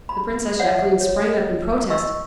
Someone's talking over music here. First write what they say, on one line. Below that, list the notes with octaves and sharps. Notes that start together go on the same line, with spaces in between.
The Princess Jacqueline sprang up in protest.
B5
C#5 D5 E5 F#5
C#5
D#5
D#5 C#6 E6